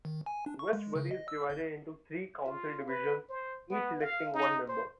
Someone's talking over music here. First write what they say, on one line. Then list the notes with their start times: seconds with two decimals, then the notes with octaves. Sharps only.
Westbury is divided into three council divisions, each electing one member.
0.05 D#3
0.26 G#5
0.46 D4
0.59 C#6
0.73 G#3
0.95 C#3
1.11 D#5
1.28 E6
1.50 G1
2.46 F4
2.87 B4
3.29 C5
3.70 B3
4.01 F5
4.34 D#4
4.69 C5